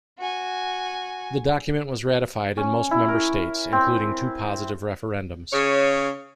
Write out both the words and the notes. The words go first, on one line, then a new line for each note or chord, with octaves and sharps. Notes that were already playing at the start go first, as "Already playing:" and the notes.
The document was ratified in most member states, including two positive referendums.
F#4 G#5
C#4
E4
A#4
C4
C#3 C#5